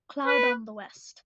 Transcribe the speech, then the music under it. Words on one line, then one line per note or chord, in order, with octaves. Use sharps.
Cloud on the west.
B4